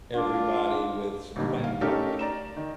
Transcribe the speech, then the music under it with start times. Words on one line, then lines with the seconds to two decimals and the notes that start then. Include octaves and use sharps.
everybody with some plain talk.
0.14 D4 F4
1.36 A#1 D3 D#3 G3
1.64 F5
1.81 A3 C#4 D#4 G4 A4 A#4
2.19 D5 A#5 E7
2.57 D#3